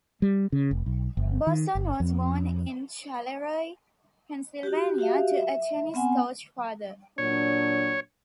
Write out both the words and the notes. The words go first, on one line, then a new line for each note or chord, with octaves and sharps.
Bosson was born in Charleroi, Pennsylvania to a tennis coach father.
G3
C#3
F1
B1
G1
D#3
G1
F2
F#4 G4
F#4 G4 E5 F5
E5
B3 C4 F#5 G#5
A#2 F#3 D4 C#5